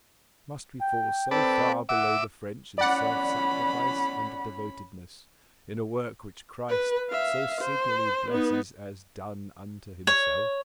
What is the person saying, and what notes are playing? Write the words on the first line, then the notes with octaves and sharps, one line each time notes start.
Must we fall so far below the French in self-sacrifice and devotedness, in a work which Christ so signally blesses as done unto Himself?
G5
C4 A4 B4 D5
E5 F#5 D6
C#4 D5 F#5 B5
B4
E5 F5
C5
B3 D#4
C#5